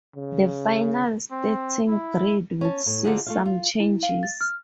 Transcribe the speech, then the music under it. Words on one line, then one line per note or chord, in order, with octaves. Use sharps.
The final starting grid would see some changes.
C#3
C4
E4
C#4 A5
A2
D3 F3 D#4 F4 F#4 G#4
A3 F4 F5
F4
E4
F5
A6
F6